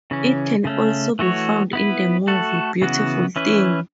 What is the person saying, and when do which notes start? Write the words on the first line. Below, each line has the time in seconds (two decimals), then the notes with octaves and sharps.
It can also be found in the movie "Beautiful Thing".
0.11 C#3 E3 C#4
0.65 C#3 A3 C#4
1.19 E3 A3 F#4 C#5
1.73 B3 E4 B4
2.27 A3 F#4 A4
2.82 C#3 E3 B3 F#4
3.36 E3 C#4 E4 B4